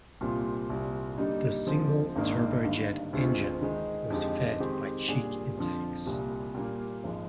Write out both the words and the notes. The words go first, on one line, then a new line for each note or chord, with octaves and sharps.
The single turbojet engine was fed by cheek intakes.
C2 A#2 G3 C4 F4
C2 A#2 G3
D3 G3 A#3 D#4
D3 F3 G#3 C4
G#1 G#2 D#3 A#3 D4
G1 G2 D#3
D2 D3 G#3 C4 F4
D#3 G#3 D#4
F2 D3 G#3 D#4 G4
D#3 G#3 C4 G4
A#2 G3 D4 G#4 D5
F2 D3 F3 C4
C2 A#2 G3
A#2 G3 A#3
G#1 F3 G#3